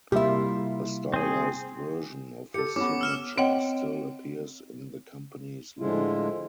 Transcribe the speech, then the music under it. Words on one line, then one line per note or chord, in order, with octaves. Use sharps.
A stylized version of his signature still appears in the company's logo.
C3 G3 A#3 E4 F4 G4 E5
C4 G#4
G4 A4 C#7
B3 C#4 D6
E6 F6 E7
C4 C#5 D#5 F#5 G5
A2 D3 F3 G#3 E4 F4